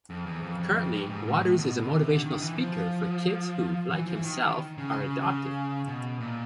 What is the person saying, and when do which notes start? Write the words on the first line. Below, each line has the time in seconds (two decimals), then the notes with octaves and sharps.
Currently Watters is a motivational speaker for kids who, like himself, are adopted.
0.10 F2
0.26 E2
0.43 F2
0.60 F2
0.76 F2
0.93 G2
1.09 G#2
1.26 A2
1.33 A#2
1.39 A2
1.58 B2
1.82 B2
1.92 C3
2.08 D3
2.24 D#3
2.41 E3
2.58 F3
3.89 E3
4.07 F3
4.15 E3
4.23 D#3
4.78 C#3
5.00 C#3
5.21 C#3
5.87 B2
6.20 A#2